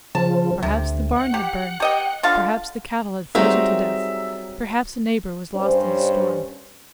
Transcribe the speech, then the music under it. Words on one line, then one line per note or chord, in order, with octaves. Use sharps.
Perhaps the barn had burned; perhaps the cattle had frozen to death; perhaps a neighbor was lost in the storm.
C#3 F3 A5
D2 C3
F#5
G4
G4 D#5 G5
D3 F4 F5
F#3 G3 C4 D#4 G#4 A#4 E5
G2 C#4 C5